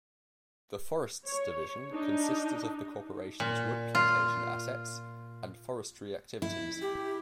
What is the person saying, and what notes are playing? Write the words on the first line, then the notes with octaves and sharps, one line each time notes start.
The Forests Division consisted of the corporation's wood plantation assets and forestry activities.
C#5
D4 D#4
A#2
F4
E4
G4